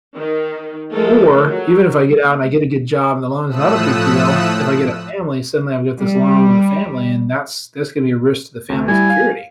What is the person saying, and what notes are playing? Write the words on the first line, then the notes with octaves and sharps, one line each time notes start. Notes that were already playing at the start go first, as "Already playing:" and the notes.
or, even if I get out and I get a good job and the loan is not a big deal, if I get a family, suddenly I've got this loan with a family and that's that's gonna be a risk to the family security.
D#3
F3 G#3 A3 A4 A#4
F#3
A2 F3 A3 D#6 E6 F#6
G3
D2 A3
G3 E4 G#5
F5